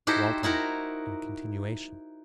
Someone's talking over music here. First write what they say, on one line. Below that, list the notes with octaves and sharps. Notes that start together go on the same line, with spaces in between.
Walton, in continuation.
D#4 E4 F#4 G4 A4 C5
D#4 E4 F#4 A#4